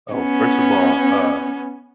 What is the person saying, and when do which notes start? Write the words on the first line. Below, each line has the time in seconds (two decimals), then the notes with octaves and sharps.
Oh, first of all, uh,
0.13 B3 C#4